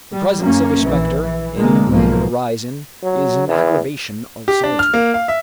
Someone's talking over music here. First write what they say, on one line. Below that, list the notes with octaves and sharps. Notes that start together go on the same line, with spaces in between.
The presence of a spectre in the horizon is an aggravation of solitude.
G3
F#2 A#3 C#4
A#1 E3
E3
D3 G#3 A#3
B1 G#2 B2 F3 A#3
F#3
E2
G4
D4
F6
A#3
F5
E5